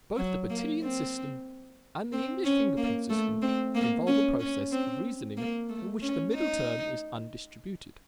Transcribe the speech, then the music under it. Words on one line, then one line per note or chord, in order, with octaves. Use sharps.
Both the Bertillon system and the English fingerprint system involve a process of reasoning in which the middle term is undistributed.
F#3
A#3
C4
C4
C#4
A#3
A3
C4
A#3
C#4
C#4
C4
A#3
A3
C#4
D#4